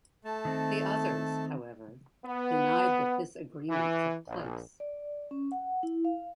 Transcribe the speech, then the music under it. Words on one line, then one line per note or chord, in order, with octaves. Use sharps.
The others, however, denied that this agreement took place.
A3 A5
D#3 C4
B3
E3
A#1
D5
C#4
F#5
E4
F5